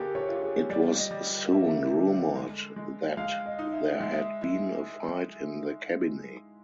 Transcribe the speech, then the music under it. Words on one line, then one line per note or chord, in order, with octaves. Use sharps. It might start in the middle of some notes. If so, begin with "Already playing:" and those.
It was soon rumored that there had been a fight in the cabinet.
Already playing: D3 A#3 G4 G#4
C#5
F4
G#4
G3 D5
D#5
G3
A#3 E5
D3
G#3
G#3
G#3 F5
D#5
D#4
E5
G#3 E5
E4